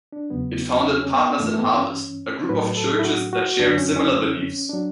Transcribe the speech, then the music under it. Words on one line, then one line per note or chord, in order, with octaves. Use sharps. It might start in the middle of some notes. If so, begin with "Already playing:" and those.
It founded Partners in Harvest, a group of churches that shared similar beliefs.
D4
E2 C#3 F#3 B3
B3
C#4
C#4
B3
G2 E3 A3
A3
B3
C#4
A2 F#3 B4
A4
E4
F#4
F#4
F#2 D3 F#3 D4
C#4
C#4
F#3 D4